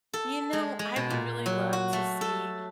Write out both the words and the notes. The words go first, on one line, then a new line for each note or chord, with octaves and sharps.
You know, I would really love to see
A4
G#3
G#3
B2
A#2
F#3
F#4
A3
A4